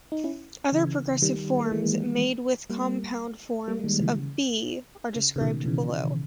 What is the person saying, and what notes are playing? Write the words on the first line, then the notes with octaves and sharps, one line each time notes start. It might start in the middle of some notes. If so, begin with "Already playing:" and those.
Other progressive forms, made with compound forms of "be", are described below.
D#4
C#4 E4
C#3 E3
D#3 G3
A#3
E3 G#3
G3 A#3
G3 A#3
G#3
D#3 G3
C#3 E3
C#3
C#3
C#3
B2 D#3
C#3 E3
C#3